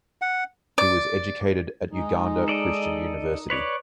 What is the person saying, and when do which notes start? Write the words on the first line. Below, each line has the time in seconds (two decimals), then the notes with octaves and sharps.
He was educated at Uganda Christian University.
0.22 F#5
0.78 D5
1.91 G#3 D#4
2.48 A4 D5 D#5
3.17 D#4
3.50 B4 C#5 D5